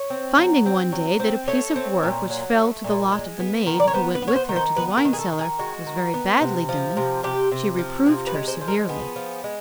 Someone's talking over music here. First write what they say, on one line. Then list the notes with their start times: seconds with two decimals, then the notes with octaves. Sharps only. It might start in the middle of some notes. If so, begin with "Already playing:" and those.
Finding one day that a piece of work which fell to the lot of the maid who went with her to the wine-cellar was very badly done, she reproved her severely.
Already playing: C#5
0.10 C4
0.38 F#3
0.66 C4
0.92 F#3
1.20 C4
1.48 A3 C#5
1.76 C4
2.03 A#2
2.30 F#3
2.58 A3
2.84 A#2
3.12 G#3
3.40 B3
3.67 D#3
3.80 D5
3.88 C#5
3.94 B3 C5
4.15 B4
4.22 B3
4.28 C#5
4.36 C5
4.49 D#3
4.56 C5
4.76 B3 B4
4.97 A#4
5.05 D#3
5.13 G#4
5.19 A4
5.32 D#3
5.39 G#4
5.59 G#3 F#4
5.87 D#3
6.14 B3
6.41 C3
6.69 F3
6.97 C3
7.23 C3 G4
7.51 C3
7.79 F3
8.06 C3 G#4
8.27 B4
8.34 G#3
8.48 C5
8.61 F3
8.68 A#4
8.89 B3 G#4
9.16 F3
9.44 G#3